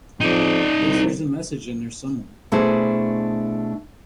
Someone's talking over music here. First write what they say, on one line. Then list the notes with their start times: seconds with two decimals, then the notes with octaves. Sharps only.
I guess there's a message in there somewhere.
0.21 F2 D#4 D5
0.79 C2
2.52 B2 A3 D4 E4 G#4 C5